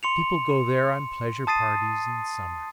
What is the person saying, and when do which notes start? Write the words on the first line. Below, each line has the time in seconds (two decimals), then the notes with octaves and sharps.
People go there on pleasure parties in summer.
0.03 C6 C#7 F7
1.47 A5 D#6 A6 C7 D#7